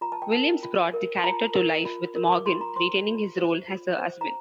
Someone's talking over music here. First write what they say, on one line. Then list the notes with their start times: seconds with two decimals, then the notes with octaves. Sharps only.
Williams brought the character to life with Morgan retaining his role as her husband.
0.01 F4 A#5
0.12 A5
0.22 G5
0.32 A#4 A5
0.63 F4
0.93 A#4
1.19 A5
1.24 F4 A#5
1.54 A#4
1.85 F4
2.15 A#4
2.32 D6
2.46 F4 C6
2.61 A#5
2.76 C5 C6
3.07 F4
3.38 C5
3.68 F4
3.98 C5
4.21 A#5